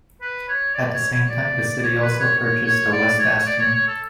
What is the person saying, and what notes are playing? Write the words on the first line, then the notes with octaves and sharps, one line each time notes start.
At the same time the city also purchased the West Bastion.
B4
C#5
D5
C#5
C#5
D5
C#5
B4
C#5
C#5
C#5
D5
C#5
D5
C#5
C#5
A4